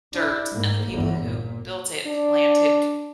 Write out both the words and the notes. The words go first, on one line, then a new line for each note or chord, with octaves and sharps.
dirt, and the people who built it planted,
D4 E4
G#2 A#3
G1 E2
A#2
D4